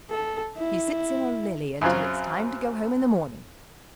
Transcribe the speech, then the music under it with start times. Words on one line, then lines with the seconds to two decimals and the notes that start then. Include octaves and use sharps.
She sits in a lily until it is time to go home in the morning.
0.10 A4
0.57 E4
1.81 F#2 C#3 F#3 C4 F4